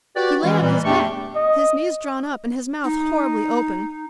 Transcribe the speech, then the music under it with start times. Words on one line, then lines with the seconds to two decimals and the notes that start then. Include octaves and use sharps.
He lay on his back, his knees drawn up, and his mouth horribly open.
0.17 F#4 G4 B4 D5
0.44 E3 G#3 C#4
0.62 A#2 E3 G3
0.85 E2 A3 D4 G4 G5 C#6
1.36 D#5
2.84 D#4